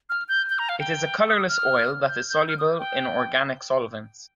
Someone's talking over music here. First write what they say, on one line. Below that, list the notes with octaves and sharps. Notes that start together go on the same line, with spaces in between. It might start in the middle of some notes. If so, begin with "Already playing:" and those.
It is a colorless oil that is soluble in organic solvents.
F6
G6
G6
A#5
F5
G5
D#6
F6
G6
G6
F6
D#6
G5